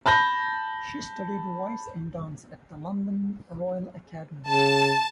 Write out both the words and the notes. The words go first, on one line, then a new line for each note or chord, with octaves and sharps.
She studied voice and dance at the London Royal Academy.
A5 B5 G6 A#6
C#3 A5